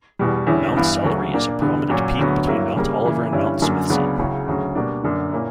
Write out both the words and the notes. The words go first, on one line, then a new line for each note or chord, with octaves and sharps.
Mount Sellery is a prominent peak between Mount Oliver and Mount Smithson.
E2 B2 G3
E2 D3 G3 C#4 E4
G2 E3 B3 E4
D2 C#3 F#3 C#4
A#2 A#3 D4
E2 D3 G3 B3
A#2 F#3 C#4
D2 D3 F#3 B3
G2 F#3 A#3 E4
C#3 G3 A#3
C#3 E3 A#3
G2 D3 G3 C#4 E4
F#2 D3 F#3 A#3 C#4
C#2 C#3 F#3 B3 D4
C#2 C#3 F#3 C#4 E4
D2 C#3 F#3
B2 G3 A#3 D4
F#2 D3 A#3 D4
A#2 A#3 C#4 E4